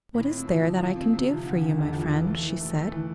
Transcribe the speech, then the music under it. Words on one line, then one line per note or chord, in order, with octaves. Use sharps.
"What is there that I can do for you, my friend?" she said.
A2
C4
F3
F3
F3
C4
C3
F3
D2
D2
E1
F3
E3
A3
E3
A3
A3
E3